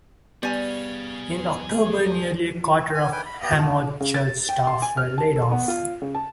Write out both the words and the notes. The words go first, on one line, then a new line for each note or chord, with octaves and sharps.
In October, nearly a quarter of the Hammond church staff were laid off.
G3 B3 G#4 F5 G#5
G#5
B4 G5 G#5
B5
B3 G4
A3
C#3
A6
G5
C6
G#5
F6
A5
A4
B3
F4
C#3
A5